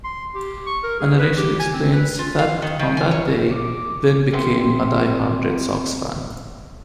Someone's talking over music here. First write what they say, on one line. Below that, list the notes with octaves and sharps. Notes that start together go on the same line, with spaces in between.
A narration explains that on that day, Ben became a die-hard Red Sox fan.
C6
G4
C#6
A#4
G#4
B4
G4
G#5
C4
B4
F4
F5
D#3
D#3
G#5
C#5
D6
C4 A#4 C5 E5 F#5